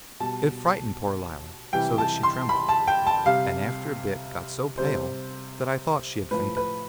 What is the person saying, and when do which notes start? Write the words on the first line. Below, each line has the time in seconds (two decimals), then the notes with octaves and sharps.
It frightened poor Lilla so that she trembled, and after a bit got so pale that I thought she had fainted.
0.20 B2 G3 A5
1.73 C3 E3 G3 G5
1.98 A5
2.23 C6
2.49 B5
2.69 A5
2.87 G5
3.07 A5
3.26 C3 G3 F5
4.78 C3 G3 C5
6.31 A2 F3 B4
6.57 B4